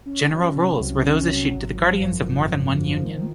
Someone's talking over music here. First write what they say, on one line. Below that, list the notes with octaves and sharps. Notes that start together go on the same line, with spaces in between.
General Rules were those issued to the Guardians of more than one Union.
C#4
F#3
C3
C2
C#4
F#3
G#1
F3
F#2
G#1
G#1
F3
D#3